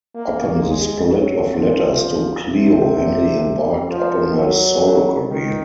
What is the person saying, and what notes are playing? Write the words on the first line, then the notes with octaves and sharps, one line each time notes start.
Upon the split of Letters to Cleo, Hanley embarked upon a solo career.
A#3
G#3
F#3
F3
C3
F3
F#3
D#3